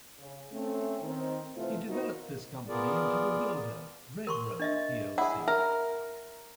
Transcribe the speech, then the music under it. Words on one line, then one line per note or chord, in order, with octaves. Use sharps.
He developed this company into the builder Redrow plc.
C#3
A3 C4 C#4
D#3 C4
C3 E3 A3 F4 C5
B3 D#4 F4 F#4 A#4 C5
B3 F4 G#4 A#4 D5
A#4 C6 C#6
D4 D#5 E5
E4 G#4 F#5
A#4 E5